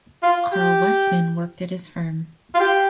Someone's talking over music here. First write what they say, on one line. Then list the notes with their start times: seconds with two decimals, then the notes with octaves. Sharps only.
Carl Westman worked at his firm.
0.23 F4
0.52 G4
2.55 F4
2.60 G4